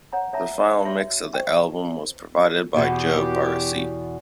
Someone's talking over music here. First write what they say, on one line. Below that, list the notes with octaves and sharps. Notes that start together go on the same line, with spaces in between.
The final mix of the album was provided by Joe Barresi.
C#5 F#5 A#5
C#5 E5 A5 A#5
F#4 C#5 E5
C5 D5 G5 C#6
E2 B2 B3 F#4 G4